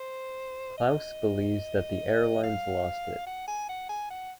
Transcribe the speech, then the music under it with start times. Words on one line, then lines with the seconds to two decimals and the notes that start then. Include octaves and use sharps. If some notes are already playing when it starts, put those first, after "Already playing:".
Klaus believes that the airlines lost it.
Already playing: C5
0.78 D#5
2.43 F5
3.26 F#5
3.47 G#5
3.69 F#5
3.89 G#5
4.10 F#5